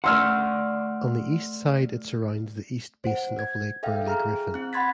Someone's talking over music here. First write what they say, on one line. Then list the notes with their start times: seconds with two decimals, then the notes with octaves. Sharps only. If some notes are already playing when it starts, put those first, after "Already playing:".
On the east side it surrounds the East Basin of Lake Burley Griffin.
0.04 A3 D5 F#5 C6 E6 F6
3.04 C5 F#5
3.39 G#6
3.83 A4 E5 F5 G5
4.05 E4 G#4 A#5 F6
4.54 C4 F#6
4.73 F#5 B5 C6 G#6 A6 B6